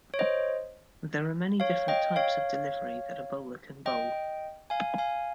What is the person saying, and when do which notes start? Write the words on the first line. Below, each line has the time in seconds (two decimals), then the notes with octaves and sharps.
There are many different types of delivery that a bowler can bowl.
0.14 C#5
0.19 C5 D#5
1.60 C#5 F5
1.88 D#5 G5
2.16 C#5 F5
3.86 D#5 G5
4.70 F5 G#5
4.98 F5 G#5